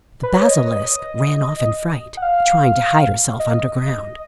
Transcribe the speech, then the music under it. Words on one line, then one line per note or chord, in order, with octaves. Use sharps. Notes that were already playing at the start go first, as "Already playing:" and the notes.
The basilisk ran off in fright; trying to hide herself underground.
B4
C#5
D#5
F#5
F5
D#5